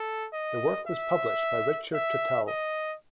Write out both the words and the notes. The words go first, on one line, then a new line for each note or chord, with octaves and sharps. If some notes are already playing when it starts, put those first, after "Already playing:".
The work was published by Richard Tottell.
Already playing: A4
D#5
E5
E5
D#5